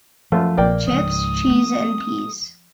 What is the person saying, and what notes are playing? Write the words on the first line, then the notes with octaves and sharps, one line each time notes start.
Chips, cheese and peas.
F#2 F3 A3 F4
A#1 A#3 D5 G5
C#2 G#2 D#6
A3 C4